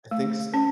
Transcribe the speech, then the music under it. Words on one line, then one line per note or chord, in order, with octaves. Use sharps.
I think so
A3
C#4